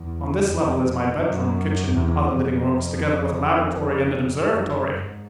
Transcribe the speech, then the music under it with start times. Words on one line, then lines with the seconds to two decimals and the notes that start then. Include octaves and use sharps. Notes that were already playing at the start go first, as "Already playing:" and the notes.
On this level is my bedroom, kitchen, and other living rooms, together with a laboratory and an observatory.
Already playing: E2
0.38 F2
1.15 F#2
1.91 E2
2.30 F2
4.21 F#2
4.97 G#2